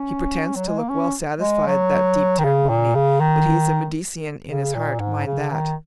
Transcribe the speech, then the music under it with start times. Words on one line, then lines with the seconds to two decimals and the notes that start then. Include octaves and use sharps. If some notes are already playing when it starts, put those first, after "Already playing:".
"He pretends to look well satisfied--that deep Tornabuoni--but he's a Medicean in his heart: mind that."
Already playing: C#4
0.56 F#3
0.68 G#3
0.78 A#3
0.89 C#4
1.41 G#3
1.67 F#3
2.39 D#3
2.44 C#3
2.69 A#2
2.95 C#3
3.21 D#3
4.49 C#3
4.75 A#2
5.00 G#2
5.26 C#3
5.51 D#3